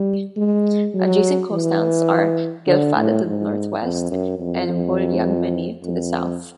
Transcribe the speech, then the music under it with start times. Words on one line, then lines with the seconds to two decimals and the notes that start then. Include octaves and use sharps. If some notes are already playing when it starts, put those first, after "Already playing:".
Adjacent coast towns are Glyfada to the northwest and Vouliagmeni to the south.
Already playing: G3
0.36 G#3
0.94 F#3
1.51 E3
2.67 D3
2.96 A2
3.24 G#2
3.82 F2
4.11 F#2
4.39 F2
4.69 F2
5.83 F2